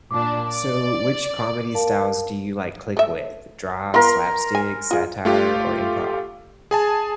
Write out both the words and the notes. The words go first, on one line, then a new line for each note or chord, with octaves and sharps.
So which comedy styles do you, like, click with? Dry, slapstick, satire, or improv?
A#2 D4 D6
D5
A#4 F5 A5
A3 E5
B3 F4 A#4 C6
G#5
F4 G#4
A3 F4 G4
G#4 G#5 A5